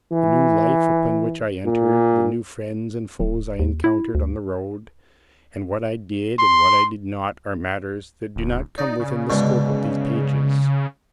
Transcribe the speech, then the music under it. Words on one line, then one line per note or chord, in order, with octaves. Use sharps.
The new life upon which I entered, the new friends and foes I encountered on the road, and what I did and what I did not, are matters that do not come within the scope of these pages.
E3
A#2
D1
D#2
E4
D2
C6
D1
D#4 D5
C#3
G#2 B2 D3